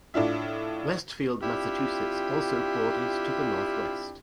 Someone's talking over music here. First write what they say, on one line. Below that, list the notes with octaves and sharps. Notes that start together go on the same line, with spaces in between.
Westfield, Massachusetts, also borders to the northwest.
A2 D4 F4 E5
C4 D4 E4 F4 G4